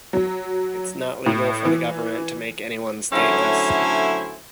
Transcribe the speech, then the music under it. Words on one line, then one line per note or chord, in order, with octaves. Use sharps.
It's not legal for the government to make anyone stateless.
F#3
A2
E3
D3 F#3 A3 C#4 E4 C5